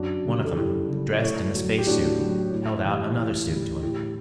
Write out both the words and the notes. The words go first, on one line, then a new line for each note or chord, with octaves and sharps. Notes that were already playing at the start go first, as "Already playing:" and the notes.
One of them, dressed in a spacesuit, held out another suit to him.
Already playing: F#2 D4 F#4
C#3 G3
A4
F#2 E4 G4
C#3 G3
D5
A2 A4 C#5
F#3
G4
A2 D4 F#4
F#3
A2
E3 G3
A2
E3 G3
A2 E4 G4